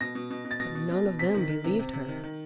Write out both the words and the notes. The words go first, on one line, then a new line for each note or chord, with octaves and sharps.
But none of them believed her.
B2 A#6
B2
B2
B2
A6
B2 A#6
B2
B2
B2
C3 B6
D#3
D#3
C3
C3
C3
D#3
D#3